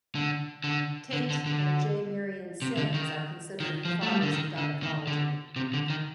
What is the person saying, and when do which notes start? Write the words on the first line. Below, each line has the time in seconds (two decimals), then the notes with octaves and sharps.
Tait and J. Marion Sims are considered the fathers of gynecology.
0.15 D3
0.64 D3
1.13 D3
1.30 D3
1.46 D3
2.62 C3
2.77 D3
2.94 D#3
3.60 D#3
3.85 F3
4.03 A3
4.10 G3
4.22 D3
4.33 D#3
4.58 D3
4.83 D#3
5.07 D3
5.56 C3
5.73 D3
5.90 D#3